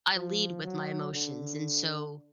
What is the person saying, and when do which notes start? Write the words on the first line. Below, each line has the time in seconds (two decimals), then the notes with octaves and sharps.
I lead with my emotions, and so,
0.15 F3
0.64 F#3
1.13 D3